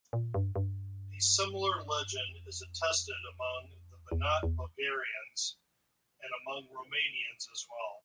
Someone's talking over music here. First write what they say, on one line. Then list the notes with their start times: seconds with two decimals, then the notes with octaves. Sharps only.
A similar legend is attested among the Banat Bulgarians and among Romanians as well.
0.13 A#2
0.34 G2
0.56 G2
2.28 F2
4.00 E2
4.12 E2
4.21 F2
4.43 E2